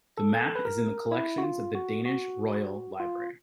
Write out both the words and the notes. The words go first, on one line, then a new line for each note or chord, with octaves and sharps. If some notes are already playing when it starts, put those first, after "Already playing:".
The map is in the collections of the Danish Royal Library.
A4
B4
A#4
E4
F#4
F4
F#4
F#4
F4